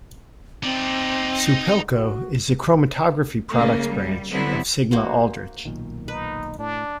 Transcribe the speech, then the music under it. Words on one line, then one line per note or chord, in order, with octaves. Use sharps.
Supelco is the chromatography products branch of Sigma-Aldrich.
C4 D#4 D5
F#4
C#3 A3 A#3
G3
D3 F#3 G3 B3 C4 E4
A#3 F#4 C5
B1 A#2 D#3
D#4 B4
A2 D4